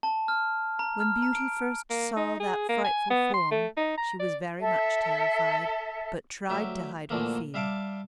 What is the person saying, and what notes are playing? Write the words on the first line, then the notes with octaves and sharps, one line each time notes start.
When Beauty first saw that frightful form, she was very much terrified, but tried to hide her fear.
A5
F6
A#5
F6
A#5
D7
A#3
D#4
G#4
A#3
G#5
B3
C6
A3
D#4
A#5
D5
A4 E5
D2 F#3 G4 E5
A#2 D3 E3 F3 A3 A#3
G3 E5 F5 A5 D6